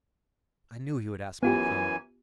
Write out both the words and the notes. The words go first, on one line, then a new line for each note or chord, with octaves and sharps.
I knew he would ask me to come.
F#2 E3 B3 F4 G4 G#5